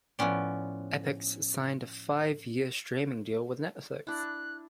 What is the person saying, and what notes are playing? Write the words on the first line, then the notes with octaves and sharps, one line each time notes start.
Epix signed a five-year streaming deal with Netflix.
A2 F3 B3 C#4 D5
D4 E4 F#6